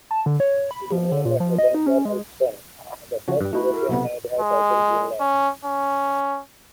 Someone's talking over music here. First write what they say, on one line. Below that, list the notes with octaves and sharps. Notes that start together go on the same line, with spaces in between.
It is named after Gunnbjorn Ulfsson, the first European to have sighted Greenland.
A5
D3
C#5
B5
F3
D3
A#2
F3
D#5
D#4
C#4
G#3
C#3 F3 F#4
G2 G3 F#6
A3 D#4 E4 F#4 B5
A4 A#4
B1 C3 B3
G#3
C#4
C#4